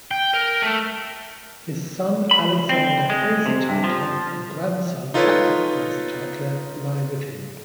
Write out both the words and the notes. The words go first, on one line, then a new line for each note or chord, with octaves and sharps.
His son Alexander Fraser Tytler and grandson Patrick Fraser Tytler lie with him.
G5
A#4
A3
B5
C4
G#3
C3
G2
F3
D#4 F4 A4 B4 C#5